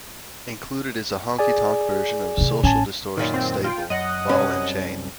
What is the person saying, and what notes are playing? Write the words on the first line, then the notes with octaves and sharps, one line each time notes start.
Included is a honky tonk version of Social Distortion staple, "Ball and Chain".
G#4 D5 G#5
C3 D#3
A1 C#4 G#5 A5
F#2 A#2 D#3
C4
F4 G5
F#2 D#5 F#5
C2 F#2 C#4